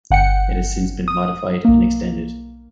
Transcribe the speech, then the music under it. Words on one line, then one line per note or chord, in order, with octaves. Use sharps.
It has since been modified and extended.
G1 F#5 G5 C#7
D#6
B1 A#3